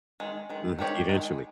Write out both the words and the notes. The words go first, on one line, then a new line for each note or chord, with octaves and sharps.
Mhm. Eventually.
D#3 G#3
D#3 G#3
D#3 G#3 C4 G4 C#5
D#3 G#3